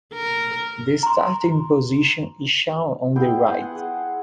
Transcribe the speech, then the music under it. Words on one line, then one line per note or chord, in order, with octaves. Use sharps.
The starting position is shown on the right.
A#4
A#5 C6
B3 E4 G#4 G5
G#5 C6
F#5
G#4